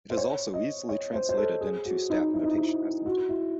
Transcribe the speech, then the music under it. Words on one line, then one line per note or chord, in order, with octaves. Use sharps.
It is also easily translated into staff notation, as needed.
C5
C#5
D#5
C#5
C5
C5
A4
G#4
F#4
D#4
E4
D#4
E4
F#4
E4